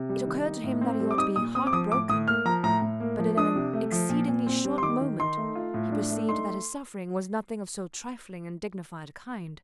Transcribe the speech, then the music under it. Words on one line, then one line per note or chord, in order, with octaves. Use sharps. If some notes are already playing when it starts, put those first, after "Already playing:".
It occurred to him that he ought to be heart-broken; but in an exceedingly short moment he perceived that his suffering was nothing of so trifling and dignified a kind.
Already playing: C3
G3
D#3
D#4
A2
C4
G3
D6
D#4 D#6
A#2 D#6
C4 D#6
D6
F3 D#6
A2 D6
A2 D#6
A#3 F6
F3 A#5
A2 A#5
A2
A#3
F3
D4 D#6
C3
A3
F3
A#2
A#2
C4
G3
C6
D#3 D6
D#3
D#4 C6
A3
F4
A2
D4
A3
D#4 C6